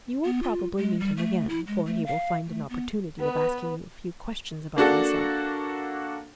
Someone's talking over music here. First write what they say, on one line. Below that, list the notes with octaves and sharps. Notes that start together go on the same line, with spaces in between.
You will probably meet him again, for he will find an opportunity of asking you a few questions about myself.
B3
F4
G#3
G3
A3
E4
G#3
A3
F5
A3
B3
B3 B4
A#3 D4 F#4 A4